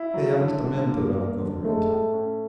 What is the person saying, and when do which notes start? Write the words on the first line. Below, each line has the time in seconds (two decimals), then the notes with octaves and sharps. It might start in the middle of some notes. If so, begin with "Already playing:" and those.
They haven't the men to run a government.
Already playing: E4
0.14 F#3
0.38 D3
0.65 D3
0.89 A#3
1.13 A#3
1.39 D3
1.64 G#3 A3
1.89 A2
2.14 C#4